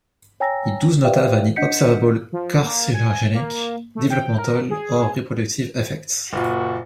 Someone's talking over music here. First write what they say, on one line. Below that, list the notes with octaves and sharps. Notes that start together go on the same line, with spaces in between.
It does not have any observable carcinogenic, developmental, or reproductive effects.
C#5 G5 G#5 A#5 E6 A#6
G4 B4 D5 E5 F5 G5
D4 D#5 F#5 G6 B6 C#7
F3
A#3
G#5
A#3
A3
G5
A#4
G#4
F#1 A#2 F#4